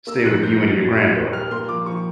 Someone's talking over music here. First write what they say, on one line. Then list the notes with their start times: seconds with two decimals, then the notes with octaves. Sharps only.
stay with you and your granddaughter?
0.07 A#3 E6
0.25 F3 F#6
0.43 G#2 G6
0.55 A#6
0.61 G#2
0.67 A6
0.80 A#2 G#6
0.97 A#2 F#6
1.15 A#3 F#6
1.32 G3 F6
1.51 A#3 C6
1.69 F3 D6
1.86 F3 C#6